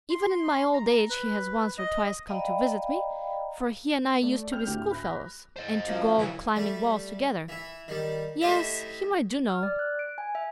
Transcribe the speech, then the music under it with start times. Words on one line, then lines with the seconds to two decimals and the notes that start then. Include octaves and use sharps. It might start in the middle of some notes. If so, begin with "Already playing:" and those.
Even in my old age he has once or twice come to visit me, for he and I used to be schoolfellows, and to go climbing walls together. Yes, him I do know.
0.10 C6
0.74 A#5
1.10 B4
1.78 D#5
2.28 D5 D#5 F5 G5 A#5 B5
4.22 A3 D5
4.52 C4 F6 G6 F7
4.67 D2 A2 G4
4.91 B5 F#6 A#6
5.57 C5 D#5
5.87 F#2 F3
6.19 D3 E3 F#3
6.56 G3 A3
7.49 E3 E4
7.88 D#3 G3
8.41 A3 E4 G4 C5 D#5 E5
9.50 F6
9.63 D5
9.79 F#6
9.99 D7
10.18 G#5
10.35 E5